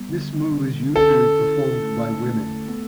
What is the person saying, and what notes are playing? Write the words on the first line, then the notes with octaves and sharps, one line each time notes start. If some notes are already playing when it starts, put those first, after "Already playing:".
This move is usually performed by women.
Already playing: G3 B3
D3
D3
C#4 A4
E4
A3
A3
B3